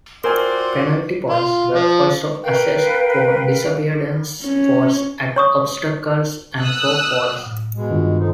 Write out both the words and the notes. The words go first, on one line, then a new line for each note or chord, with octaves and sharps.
Penalty points were also assessed for disobedience faults at obstacles and for falls.
C4 F4 F#4 A#4 D5 G#5 C6
F4
F3
A#4 B4 F5 G5
C#4
C#5 C#6 D#6
D#6 E6 F#6
A2
B2 G#3
G2 D#3 F4
D3 F3 D#4